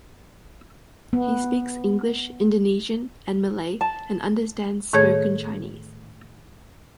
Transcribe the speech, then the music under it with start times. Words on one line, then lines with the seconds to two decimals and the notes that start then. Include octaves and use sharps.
He speaks English, Indonesian and Malay and understands spoken Chinese.
1.13 B3
3.81 A5
4.93 A2 D#3 A3 G#4 C#5 G#6